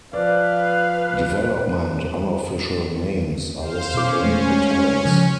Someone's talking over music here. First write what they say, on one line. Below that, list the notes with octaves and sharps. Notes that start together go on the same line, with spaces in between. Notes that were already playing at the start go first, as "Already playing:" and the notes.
Development unofficial names are listed in italics.
F3 B4 D5 F5
C5 F5
B2 C#4 D6
G#3 A3
C#3 F3